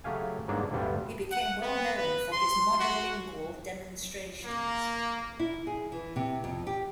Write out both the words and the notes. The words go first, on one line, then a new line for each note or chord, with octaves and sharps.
He became well known for his "monolingual demonstrations".
C#3 F#3 A3 G4 F5 G#5
G#2 F#3 G3 A#3 B3 D4
D2 G2 C3 G3 A3 B3
F#5
B3
B4
C6
F#4
A#3
E4
G#4
E3
C3
F2
G4